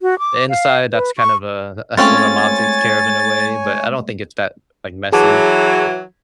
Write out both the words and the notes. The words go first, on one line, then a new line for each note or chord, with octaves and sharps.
The inside, that's kind of a that's what my mom takes care of in a way, but I don't think it's that, like, messy
F#4
D6
F5
B4
C#6
G#3 A3 C4 C#4 F4 C#5 G#5 A6
E3 F#3 G#4 A5 D6